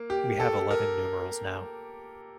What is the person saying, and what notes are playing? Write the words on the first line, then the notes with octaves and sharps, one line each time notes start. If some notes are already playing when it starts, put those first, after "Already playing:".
We have eleven numerals now.
Already playing: A#3
G4
A4
A#4